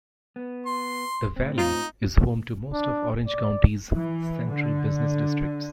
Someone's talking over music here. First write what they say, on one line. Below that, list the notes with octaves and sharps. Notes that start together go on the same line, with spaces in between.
The valley is home to most of Orange County's central business districts.
B3
C6
A2 C4
D#4 F4
D4
D5
E3
D3